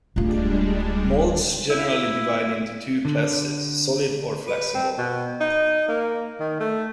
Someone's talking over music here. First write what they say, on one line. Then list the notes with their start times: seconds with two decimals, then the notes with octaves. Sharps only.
Molds generally divide into two classes: solid or flexible.
0.16 D1 G3 G#3 D4 F4
1.70 E4
3.05 D3
4.48 B4
4.75 C4
4.98 B2
5.41 D#4
5.88 A#3
6.40 D#3
6.60 A3